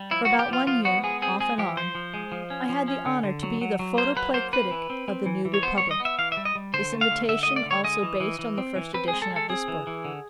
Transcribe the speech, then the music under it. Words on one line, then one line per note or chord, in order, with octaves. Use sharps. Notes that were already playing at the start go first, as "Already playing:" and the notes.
For about one year, off and on, I had the honor to be the photoplay critic of The New Republic, this invitation also based on the first edition of this book.
Already playing: G3
F3 E4
F#4
B3
G4
F3 F4
F3 F4
B3 F#4
G#3 G#4
C4 G#4
G#3 G#4
F3 G4
F3 C5
F3
G#3
F3
C#4
F3
C#4
D3
D3
F#3
F#3
F#3
A#3 C5
F#3 B4
A#3 C5
C4 B4
E3
C4
C4
E3
E3
C#5
B3 C5
G3 C#5
D#5
B3
E5
E3 F5
E5
G3
D#5
G3
D3 C5
A3
F5
D3
D3 E5
A3 D#5
D5
D3
C#5
G#3 D#5
E3
E3
E3
C4
E3
C4 B4
G#4
G#3
A4
G#3
A4
C4 G#4
E3
E3
D3